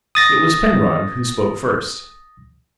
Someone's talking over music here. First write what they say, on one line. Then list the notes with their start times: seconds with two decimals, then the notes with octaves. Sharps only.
It was Penrod who spoke first.
0.15 D#6 A6 A#6